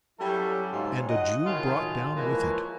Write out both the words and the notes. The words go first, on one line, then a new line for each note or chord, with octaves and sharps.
'And a Jew brought down with it!
F#3 G3 C#4 E4 G4 A4
G#2 C#3 F#3 A3 F4
D#5 F#5
A2 D#3 F#3 F4 G#4
E3 F3 G#3 A#3 B4 C#5